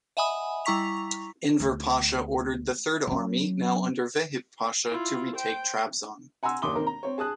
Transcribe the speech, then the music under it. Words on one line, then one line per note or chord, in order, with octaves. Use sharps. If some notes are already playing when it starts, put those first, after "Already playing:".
Enver Pasha ordered the Third Army, now under Vehip Pasha, to retake Trabzon.
D#5 E5 F#5 G#5 B5 D#6
G3 E4 A#5 C#6 B6 F7
D2
F#3 C#4
E4 F4
C5 G5
F#5 G#5 A#5 C6 E6
F#1 D#2 C6 D6 D#6 G7
D#3 C4 A#4
A#5
C4 C#5
G#4 A5 D#6 F#6